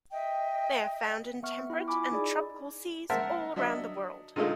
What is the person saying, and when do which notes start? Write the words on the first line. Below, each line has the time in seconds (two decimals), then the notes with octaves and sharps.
They are found in temperate and tropical seas all around the world.
0.12 D#5 E5 G5
1.43 B3 E5 C#6 F6
1.70 E4 G5
1.88 F4 G#5 B5 D6
2.12 D#4 G#4 D5
3.10 A#4 C5 E5 F#5 A5
3.56 F#3 D4 D#5 E5
4.36 A#2 D3 G#3 A3 D#4 F4